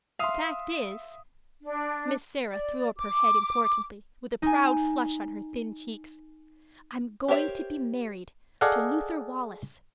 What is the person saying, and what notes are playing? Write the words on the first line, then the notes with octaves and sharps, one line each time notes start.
The fact is--" Miss Sarah threw up her head importantly, with a proud flush on her thin cheeks--"I'm going to be married--to Luther Wallace.
E5 F5 C6 D#6
D4
D5
D6
D#4 G#5
G4 A#4 C5 C#5 E5
G#4 A4 D5 D#5 F5 F#5